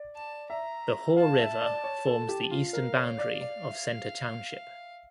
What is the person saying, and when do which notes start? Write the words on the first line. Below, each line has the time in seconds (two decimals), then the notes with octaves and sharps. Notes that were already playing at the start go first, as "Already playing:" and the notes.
The Haw River forms the eastern boundary of Center Township.
Already playing: D5
0.15 A5
0.50 E5 A#5
1.16 F5 A5
1.39 E5
1.61 D5
1.84 C#5
2.06 A4
2.29 G4
2.51 F4 F5
2.73 A#4
2.96 C#5
3.18 D5
3.41 D5
3.63 E5